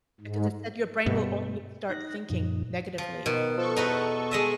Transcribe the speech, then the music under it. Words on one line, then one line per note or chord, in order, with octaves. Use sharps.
Because it said your brain will only start thinking negatively,
G#2
G2 B2
D#4 F#6 A#6
F#2 A#2 F3 D#4
F3
B2 D#3
F3 A4 C#6
E2 D#4 F#4 B4
G#3 D#5 E5